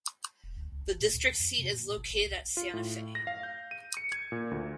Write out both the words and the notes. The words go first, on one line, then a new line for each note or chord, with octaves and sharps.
The district seat is located at Santa Fe.
E1
D2
C#2
G1
A#2
D2
F2
C3
A#2
G#1
G#1
C2
F4
A2
A#6
F5
G6
D#7
C#7
G#6
A#2
D2